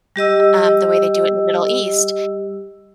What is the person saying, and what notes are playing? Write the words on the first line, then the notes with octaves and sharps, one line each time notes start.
Um, the way they do it in the Middle East,
G3 G4 D#5 E6